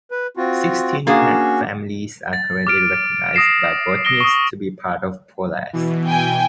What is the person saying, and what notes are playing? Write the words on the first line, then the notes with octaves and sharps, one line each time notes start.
Sixteen plant families are currently recognized by botanists to be part of Poales.
B4
C4 F4 F#4
A#3 C#4 D4 F#4 G#4
A6
D6 F6 D7
D#6 A#6 C7 E7
D#6 A#6 D7 G7
C#6 D#6
B2 E3
G5 G#5